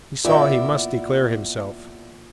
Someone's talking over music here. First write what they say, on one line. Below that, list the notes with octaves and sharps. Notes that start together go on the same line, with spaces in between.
He saw he must declare himself.
A#2 B3 E4 D5 E5